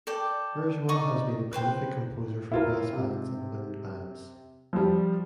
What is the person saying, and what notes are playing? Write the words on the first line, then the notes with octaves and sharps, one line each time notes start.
Bourgeois has been a prolific composer for brass bands and wind bands.
A4 D5 G5
D#4 D5 D#5 C#6
B4 C5 G5
E4 F4 A#4
C3
F3 G3